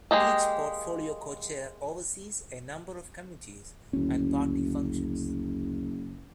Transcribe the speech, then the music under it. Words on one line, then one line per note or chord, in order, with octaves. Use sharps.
Each portfolio co-chair oversees a number of committees and party functions.
G#3 A#3 G4 D#5
F#1 D2 C#4